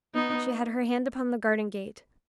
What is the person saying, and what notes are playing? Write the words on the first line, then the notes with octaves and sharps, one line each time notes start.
She had her hand upon the garden gate.
B3 D#4